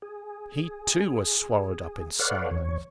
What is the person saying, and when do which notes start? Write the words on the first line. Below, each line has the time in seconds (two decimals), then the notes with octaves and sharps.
He, too, was swallowed up in silence.
0.02 G#4
2.19 A4 B4 C#5 D5 F5 F#5
2.51 E2 C#5